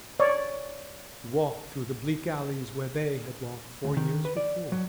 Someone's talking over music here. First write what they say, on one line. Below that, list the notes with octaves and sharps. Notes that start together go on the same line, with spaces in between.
He walked through the bleak alleys where they had walked four years before.
C#5 D5
D2
D#3
B4
D5
F#3